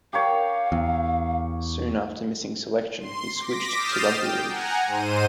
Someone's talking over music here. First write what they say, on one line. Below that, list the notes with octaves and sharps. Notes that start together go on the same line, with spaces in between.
Soon after missing selection he switched to rugby league.
G4 A#4 C#5 F5
E2
C6
D6 A#6 B6
D#6 F6 G6 A6 C7 E7
G5
F#5 G#5 A#5
G#2 C5 D#7